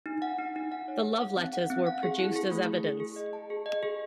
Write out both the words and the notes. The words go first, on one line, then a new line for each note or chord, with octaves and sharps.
The love letters were produced as evidence.
D#4
F#5
D#4
D#4
F#5
C#5
G#4
F#5
C4
F#5
C4
F#5
G#4
E4
G#4
A3
E4
G#4
G#4
D#5
A5
G#4
D#5
G#4